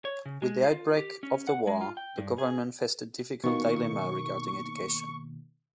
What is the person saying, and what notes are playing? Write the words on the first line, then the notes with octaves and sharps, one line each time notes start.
With the outbreak of the war, the government faced a difficult dilemma regarding education.
C#5
C#3
G#3
F4
G4
C#4
F#5
G#3
F4
G5
G2
G#4
B2 D#3 A#3 C#6